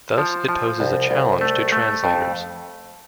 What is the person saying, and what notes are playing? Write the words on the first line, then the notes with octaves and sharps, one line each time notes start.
Thus, it poses a challenge to translators.
F3
F3
C2
C2
A3
A3
F2